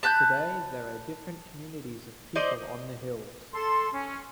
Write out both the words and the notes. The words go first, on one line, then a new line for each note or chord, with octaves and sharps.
Today, there are different communities of people on the hills.
A5 B5 F#6 G6
D#4 C5 D5 D#5
A4 C6
C#4